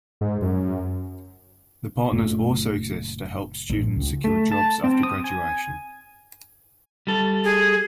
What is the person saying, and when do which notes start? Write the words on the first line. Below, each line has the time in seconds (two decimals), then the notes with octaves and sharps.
The partners also exist to help students secure jobs after graduation.
0.21 G#2
0.41 F#2
2.12 F#1 A#2 A3
3.70 A1
3.96 C#2
4.24 A3
4.52 A5
4.84 C4
5.03 D#6
5.24 G#5
7.07 G3 A4
7.44 G#4